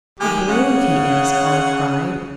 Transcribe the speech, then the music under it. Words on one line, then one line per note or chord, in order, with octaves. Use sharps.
'How brave he is!' all cried.
D#3 G#3 G4
C#3 C#5 F#5